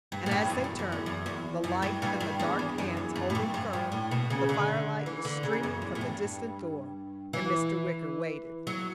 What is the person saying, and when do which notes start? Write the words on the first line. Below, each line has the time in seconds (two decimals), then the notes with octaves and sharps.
And as they turned, the light and the dark hands holding firm, the firelight was streaming from the distant door and Mr. Wicker waited.
0.12 G2
0.26 A2
0.31 G2
0.44 E2
0.50 F#2
0.64 E2
0.79 F#2
0.92 E2
1.06 F#2
1.26 E2
1.64 F#2
1.82 G2
2.02 G2
2.20 G2
2.39 E2
2.59 E2
2.78 F#2
2.97 E2
3.16 F#2
3.30 A2
3.35 G2
3.54 F#2
3.73 G2
3.92 A2
4.11 B2
4.30 C#3
4.49 D3
5.06 E3
5.25 D3
5.43 C#3
5.53 E2
5.63 F#2
5.82 E2
5.95 A2
6.01 G2
7.33 E3
8.67 F#3